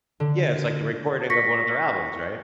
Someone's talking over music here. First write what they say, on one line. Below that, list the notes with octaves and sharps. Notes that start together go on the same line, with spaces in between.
Yeah, it's like the recording of one of their albums, right?
D3
C#6 A#6 B6 C#7